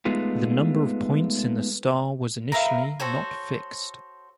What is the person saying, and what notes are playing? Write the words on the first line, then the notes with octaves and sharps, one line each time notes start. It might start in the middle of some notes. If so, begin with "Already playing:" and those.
The number of points in the star was initially not fixed.
G#3 A3 B3 D#4 F4
A#4 B4 E5 F5
F#4 A4 C5 C#5